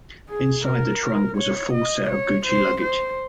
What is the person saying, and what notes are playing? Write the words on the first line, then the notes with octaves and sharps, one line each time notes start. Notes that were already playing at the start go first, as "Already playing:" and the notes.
Inside the trunk was a full set of Gucci luggage.
G#4
A#4
C#5
D#5
C#5
C5
C5